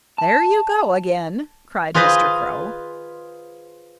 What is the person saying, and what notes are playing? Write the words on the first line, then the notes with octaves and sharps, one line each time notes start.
"There you go again!" cried Mr. Crow.
A5
F4 G#4 B4 C5 D#5